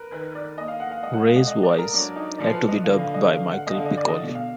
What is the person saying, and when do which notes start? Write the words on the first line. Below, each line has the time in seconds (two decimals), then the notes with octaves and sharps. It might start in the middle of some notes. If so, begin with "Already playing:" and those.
Rey's voice had to be dubbed by Michel Piccoli.
Already playing: A#4 B4
0.12 D#3 B4
0.35 D5
0.57 A#3 D#5
0.68 F5
0.80 F#5
0.91 F5
1.02 G#3 D#5
1.14 F#5
1.25 F5
1.36 D#5
1.47 D#5
1.63 D5
1.78 A#4
1.93 F#3 D4
2.16 D#4
2.38 F3 D5
2.54 B4
2.68 D#5
2.84 D3 F5
2.99 F5
3.14 D#5
3.29 F5
3.52 F#5
3.67 D#5
3.74 D3 F5
3.86 D#5
3.97 D5
4.08 D#5
4.20 B2
4.35 F5